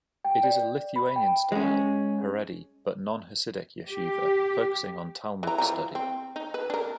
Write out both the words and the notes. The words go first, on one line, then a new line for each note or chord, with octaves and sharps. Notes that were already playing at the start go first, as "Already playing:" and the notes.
It is a Lithuanian-style, Haredi but non-Hasidic yeshiva focusing on Talmud study.
G5
D5
B5
G5
G#3 C#4
G4
E3 A#5
E3 F3 A#5
C4
D#4
B4
D4 A#4